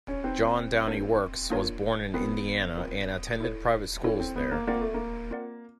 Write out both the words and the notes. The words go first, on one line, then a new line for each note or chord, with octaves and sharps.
John Downey Works was born in Indiana and attended private schools there.
C#4
C4 D#4 G4 B4
A#3 D4 F4 A#4 C#5
A#3 D4 F4 A#4 C#5
B3 C4 F4 A#4
C4 F4 A#4
E4 A4 C#5
C#4 E4 A4 C#5
C4
B3
A#3
A#3 C4 F4 A#4 D5 F#5
A3
A#3
C4 F4 A#4 D5 F#5